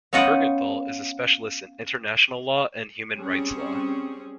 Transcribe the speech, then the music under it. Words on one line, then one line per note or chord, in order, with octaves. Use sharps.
Buergenthal is a specialist in international law and human rights law.
B3 C#4 F4 D#5 F#5 G5
G3 C4 C#4 G#4